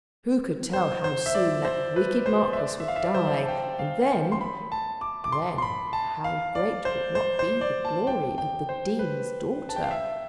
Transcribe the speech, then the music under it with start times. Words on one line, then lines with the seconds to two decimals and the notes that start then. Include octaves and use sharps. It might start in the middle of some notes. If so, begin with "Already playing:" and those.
Who could tell how soon that wicked Marquis would die; and then,--then how great would not be the glory of the Dean's daughter!
0.73 C5
1.04 C5
1.26 E5
1.34 D5
1.65 C5
1.96 B4
2.26 C5
2.53 E5
2.57 D5
2.80 E5
2.88 F5
2.96 E5
3.03 D5
3.14 C5
3.26 D5
3.43 A5
3.48 G5
3.79 F5
4.10 G5
4.32 C6
4.41 B5
4.72 A5
5.01 D6
5.24 D6
5.32 C6
5.58 C6
5.62 B5
5.93 A5
6.24 F5
6.55 D5
6.85 C5
7.15 C5
7.39 C5
7.61 D5
7.85 A5
8.07 G5
8.38 G5
8.69 C5
8.99 B4
9.69 A5
9.76 G5
9.84 F5
9.91 E5